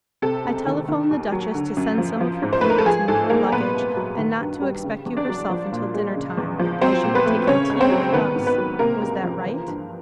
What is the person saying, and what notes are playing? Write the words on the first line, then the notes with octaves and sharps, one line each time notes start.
I telephoned the duchess to send some of her people to meet your luggage, and not to expect you herself until dinner time, as you were taking tea with us. Was that right?
C3 A4
C#2
D#3
D#3
D#2
F#3
D3
F#2
F3
F3
G#2
C5
B4
A3
A#4
A4
F3 G#4
G#2 A4
G#3 A#3 A#4
A#2 B3 B4
C2
F#3
D#3
G2
G3
C#3
E2
D4 D5
F#3
F3
A#2
G#3
C#3
E2
F3
F#3 C4 C5
A#2
B3 B4
A3
C#3 C#4 C#5
C#2
C4 C5
F#3
D#3 B3 B4
G#2
B3 B4
F#3
C3 A#3 A#4
C#2
F3
E3
G2